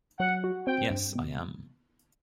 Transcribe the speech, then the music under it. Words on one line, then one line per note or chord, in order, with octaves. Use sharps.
Yes, I am.
F#3 F#5
F#4
C4 G5
G2
B2